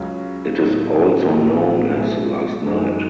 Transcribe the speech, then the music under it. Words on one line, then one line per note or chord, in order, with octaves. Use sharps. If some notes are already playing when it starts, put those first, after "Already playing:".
It is also known as "Last Night".
Already playing: C#2 C#3 F#3 C#4
A2 F#3 B3
A1 A2 E3
B2 F#3 A3 E4 G#4
F#2 E3 G#3 D#4